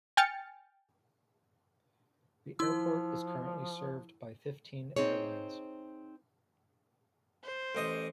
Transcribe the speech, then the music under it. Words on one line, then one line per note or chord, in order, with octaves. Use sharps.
The airport is currently served by fifteen airlines.
G5 G#5 F6 A6 C#7
F3 E4 E6
C4 D#4 G#4 C#5
C5
A1 D#5